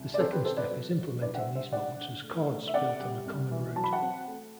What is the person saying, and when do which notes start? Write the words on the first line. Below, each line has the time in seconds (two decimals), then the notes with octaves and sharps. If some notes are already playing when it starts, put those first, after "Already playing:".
The second step is implementing these modes as chords built on a common root.
Already playing: C2
0.14 D5
0.19 C4 A4 C5
0.32 G4 B4
0.44 C3 A4 C5
0.57 B4 D5
0.70 F#3
0.96 F#3
1.21 D4 B4 D5
1.35 F#5
1.38 C5 E5
1.47 G3
1.55 C5 E5
1.72 D3 D5 F#5
1.98 D3
2.23 A3
2.48 A3
2.67 E5
2.74 C3 D5 F#5
3.00 G3
3.26 C2
3.51 E3
3.76 F#3 A5
3.84 B5
3.93 F#5 A5
4.02 C4
4.28 A3